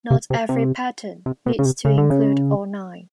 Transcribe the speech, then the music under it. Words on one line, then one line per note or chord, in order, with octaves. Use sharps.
Not every pattern needs to include all nine.
C3
C3
C3
C3
B2
C#3
C3
C#3
D3
C#3